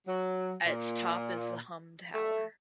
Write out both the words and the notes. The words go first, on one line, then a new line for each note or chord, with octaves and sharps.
At its top is the Hum Tower.
F#3
A#2
A3